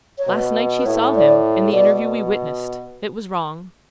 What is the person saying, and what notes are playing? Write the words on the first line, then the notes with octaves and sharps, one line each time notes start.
Last night she saw him, in the interview we witnessed. It was wrong.
C#5
B2 B4
B4
A2 C#5
D5
B2 D5